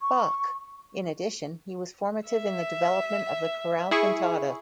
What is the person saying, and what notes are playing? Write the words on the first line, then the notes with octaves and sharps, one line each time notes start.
Bach; in addition he was formative in the development of the chorale cantata.
C#6
E5
E4 G#4 C#6